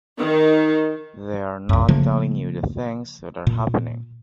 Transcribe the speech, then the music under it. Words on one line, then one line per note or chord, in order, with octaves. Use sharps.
They are not telling you the things that are happening.
D#3
C2 F#2
C#3 F3 A3 A#3
A#2